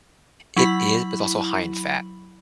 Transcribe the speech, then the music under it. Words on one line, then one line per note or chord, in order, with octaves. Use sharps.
It is, but it’s also high in fat.
F#3 E4 B5 F#7